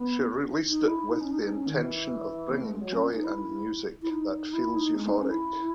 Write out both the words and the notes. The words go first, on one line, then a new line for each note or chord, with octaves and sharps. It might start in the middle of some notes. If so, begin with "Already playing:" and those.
She released it with the intention of bringing "joy" and music that "feels euphoric".
Already playing: B3
D#4
E4
D#4
C#4
D#4
D#4
C#4
D#3
E3
B3
A3
G#3
F#3
C#4
D#4
E4
E4
D#4
E4
D#4
G#3
D#4
C#4
E4